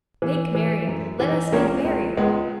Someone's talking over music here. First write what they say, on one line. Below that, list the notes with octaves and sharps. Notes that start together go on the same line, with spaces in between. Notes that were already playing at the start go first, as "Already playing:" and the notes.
Make merry, let us make merry.
E3
E3
F#2
E3
C#2 A#3 C#4
C#2
C#2 G#3 B3